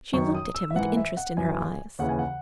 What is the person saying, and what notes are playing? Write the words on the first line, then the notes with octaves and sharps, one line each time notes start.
She looked at him with interest in her eyes.
F#2 D#3 C#6
D#6
E6
E5
G#2 E3 F#5
E5
F#5
F#2 E3 G#5
D#2 C#3 E3 F#5
G#5
F#5